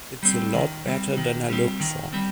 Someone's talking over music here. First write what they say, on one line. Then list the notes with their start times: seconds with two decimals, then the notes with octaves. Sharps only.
It's a lot better than I looked for.
0.23 G3 C4
0.54 D#3
0.86 G3 C4
1.17 D#3
1.50 G3 C4
1.80 D#3
2.13 G3 C4